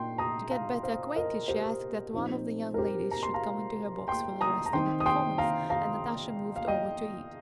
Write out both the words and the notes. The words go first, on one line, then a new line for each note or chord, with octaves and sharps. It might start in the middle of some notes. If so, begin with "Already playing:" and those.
To get better acquainted she asked that one of the young ladies should come into her box for the rest of the performance, and Natasha moved over to it.
Already playing: A#2 A#3 D#4 G5 C6
A#5 D#6
F5 A#5
C5 F5
A#4 D#5
G4 C5
A#2 F3 C4 D#4
A#4
G4 C5
A#5
C6
F5 A#5
G5 C6
A#5 D#6
A#5
D#3 C4 D#4 G5 C6
D#6
G5 C6
F5 A#5
F5 A#5
F5
D#5 G5